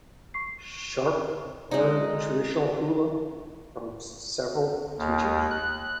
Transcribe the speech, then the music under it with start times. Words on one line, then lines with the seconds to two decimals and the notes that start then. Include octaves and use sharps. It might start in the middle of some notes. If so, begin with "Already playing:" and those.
Sharpe learned traditional hula from several teachers.
0.34 C#6 C7
1.71 G#3 D#4 D5
4.99 D#2
5.51 F#6